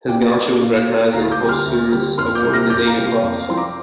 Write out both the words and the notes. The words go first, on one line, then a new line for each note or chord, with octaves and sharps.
His gallantry was recognized in the posthumous award of the Navy Cross.
A#2 D5 G5
A#3 D5
D5
A#2 F5
A#3
D2 F5 A#5
D6 G6
D3 G3 C4
C6 F6
D2
D3 G3 C4
F2 C6 F6
D6 G6
C3 G3 A#3
F6 A#6
F2 D6 G6
F5 A#5
C3 G3 A#3
F5
F2 D5
F5
F3 C4 C6
A#5 D6